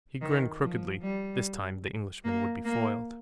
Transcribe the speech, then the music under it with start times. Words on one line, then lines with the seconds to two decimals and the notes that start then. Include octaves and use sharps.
He grinned crookedly; this time the Englishman would be foiled.
0.21 D#3
0.62 F3
1.02 G3
2.24 A#3
2.65 A#3